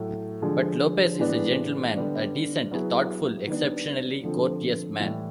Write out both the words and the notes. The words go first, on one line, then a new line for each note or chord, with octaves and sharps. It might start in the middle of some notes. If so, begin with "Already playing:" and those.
But Lopez is a gentleman - a decent, thoughtful, exceptionally courteous man.
Already playing: A2 F#3 A3
D3 F3 G#3
A2 E3 G#3 B3 D4
D3 G3 B3 D4
F#3 B3 E4 G#4
D#3 G3 B3 D4
D3 F3 A3 C4
A2 E3 G3